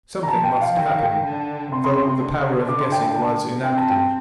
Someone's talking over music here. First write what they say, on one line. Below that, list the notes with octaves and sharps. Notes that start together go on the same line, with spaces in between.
Something must happen, though the power of guessing was inactive.
A#5
F3 A5
G5
F5
D#3 G5
F5
G5
D3
C3 C6
C6
C6
C6
D3
D6
C6
G5
G5
A5
C4 G5
A5
G5